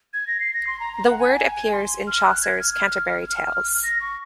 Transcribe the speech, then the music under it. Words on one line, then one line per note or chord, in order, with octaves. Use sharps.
The word appears in Chaucer's "Canterbury Tales".
G#6
A#6
C7
A#6
C6
A#5
A#5
F#5
G#5
G#5
G#5
C6
F6
F#6
G#6
F6
A#6
C#6